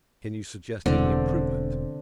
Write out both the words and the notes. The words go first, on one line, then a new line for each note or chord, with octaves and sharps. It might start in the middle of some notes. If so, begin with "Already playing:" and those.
Can you suggest any improvement?
E1 D3 C4